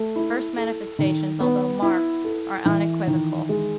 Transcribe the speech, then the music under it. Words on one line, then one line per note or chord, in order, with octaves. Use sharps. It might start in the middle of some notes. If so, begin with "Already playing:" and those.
The first manifestations, although marked, are unequivocal.
Already playing: A3
E4
A4
D#3
B3
E4
A4
E3
D#3
G#3